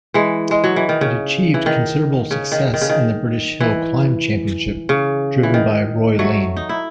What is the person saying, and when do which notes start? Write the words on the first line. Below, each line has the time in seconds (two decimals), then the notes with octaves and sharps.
It achieved considerable success in the British Hill Climb Championship, driven by Roy Lane.
0.14 E3 G#3
0.51 G#3
0.64 F#3
0.76 E3
0.89 D#3
1.01 C#3
1.54 E3
1.66 D#3
2.31 C#3
2.52 D#3
2.74 D#3
2.81 C#3
2.89 D#3
3.60 E3
4.89 C#3
5.43 E3
5.54 D#3
6.19 F#3 A3
6.56 D#4
6.69 E4